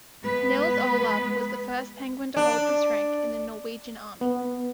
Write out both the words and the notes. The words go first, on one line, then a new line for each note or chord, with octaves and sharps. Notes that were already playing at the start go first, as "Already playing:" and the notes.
Nils Olav was the first penguin to hold this rank in the Norwegian army.
G#3 B3 B4
D4
B3